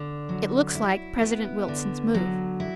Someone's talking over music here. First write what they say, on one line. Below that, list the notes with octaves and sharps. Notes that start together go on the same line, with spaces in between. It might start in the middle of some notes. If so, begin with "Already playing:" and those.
It looks like President Wilson's move.
Already playing: D3
F#3
E4
B3
D3
F#3
E4